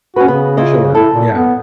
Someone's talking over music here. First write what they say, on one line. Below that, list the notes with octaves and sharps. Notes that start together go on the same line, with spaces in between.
Sure. Yeah.
C#4 F#4 B4
C#3 B3
E4 F4 D#5
E4 A4
A#2
B3